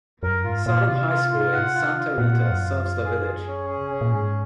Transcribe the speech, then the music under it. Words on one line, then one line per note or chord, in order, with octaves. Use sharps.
Southern High School in Santa Rita serves the village.
F#2 A#4
G#2 F4
A#2 F4
C3 F4
F4
F4
F#5
F4
F4
A#2 F#5
F4
F#2
F4
F4
G#4
G#4
C#4
G#4
C#3
C3 C#4
A#2
G#2 G#4